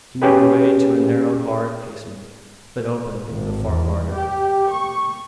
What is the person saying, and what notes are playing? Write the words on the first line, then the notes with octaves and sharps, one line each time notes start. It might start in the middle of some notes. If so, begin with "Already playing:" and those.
She made her way to a narrow barred casement that opened into the farm larder.
C#4 G4 G#4 B4
G#1
E2
G4
C#6